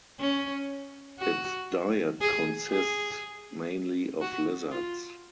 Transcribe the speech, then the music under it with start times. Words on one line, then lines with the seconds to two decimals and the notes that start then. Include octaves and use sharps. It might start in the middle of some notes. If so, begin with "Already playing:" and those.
Its diet consists mainly of lizards.
0.20 C#4
1.20 F#4
2.21 G#4
2.71 G#4
4.21 F#4
4.71 F4